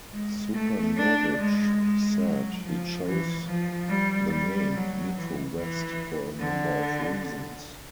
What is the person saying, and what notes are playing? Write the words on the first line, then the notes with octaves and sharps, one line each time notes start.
Supernovich said he chose the name, MetroWest, for a number of reasons.
G#3
A3
D4
G#3
G#3
F#3
F3
E3
F3
G3
G3
F#3
E3
E3
D3